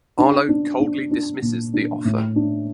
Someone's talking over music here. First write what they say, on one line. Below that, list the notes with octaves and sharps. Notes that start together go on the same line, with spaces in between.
Arlo coldly dismisses the offer.
D4
D4
D4
D4
A#2
D4
A2
D4